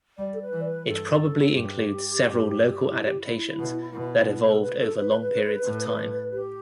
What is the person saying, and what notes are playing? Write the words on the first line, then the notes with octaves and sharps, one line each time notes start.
It probably includes several local adaptations that evolved over long periods of time.
G3 D5
A4
B4
E3
D5
B4
G2 A4
G2 G4
G2
E4
G4
E4
B2
B2
E4
A4
B4
A4
B4
A2
G4